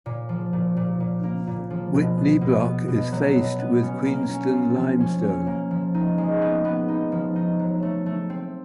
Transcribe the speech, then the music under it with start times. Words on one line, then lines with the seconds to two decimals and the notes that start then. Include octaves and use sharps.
Whitney Block is faced with Queenston limestone.
0.06 A#2
0.29 F3
0.53 A#2
0.77 A#2
1.00 A#2
1.23 A#3
1.47 A#2
1.70 F3
1.94 B2
2.17 B3
2.41 B2
2.64 B3
2.88 B2
3.12 F#3
3.35 B2
3.59 B3
3.83 C#4
4.06 A#3
4.29 C#4
4.53 F4
4.76 F3
5.00 C#4
5.23 C#4
5.47 A#3
5.71 F3
5.94 D#4
6.18 G#3
6.42 B3
6.65 B3
6.88 D#4
7.12 F3
7.36 D#4
7.59 F#3
7.82 A3
8.06 A3
8.30 C4